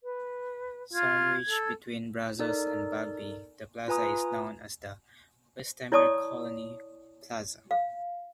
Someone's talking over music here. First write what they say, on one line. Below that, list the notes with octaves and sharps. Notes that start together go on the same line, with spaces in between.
Sandwiched between Brazos and Bagby, the plaza is known as the Westheimer Colony Plaza.
B4
F4 G#6
A4
D#4 A4 A#4 D5
F4 B4 G#5 A#5 D#6
E4 C#5 D5 A5 C#6 D#6
F5